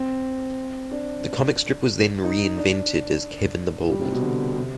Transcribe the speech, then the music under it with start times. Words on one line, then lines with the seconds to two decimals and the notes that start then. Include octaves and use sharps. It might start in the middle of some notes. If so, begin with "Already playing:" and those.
The comic strip was then reinvented as Kevin the Bold.
Already playing: C4
0.91 D4
2.24 D#4
2.57 D4
3.90 G3
4.01 C3
4.12 B2
4.22 D3
4.56 C3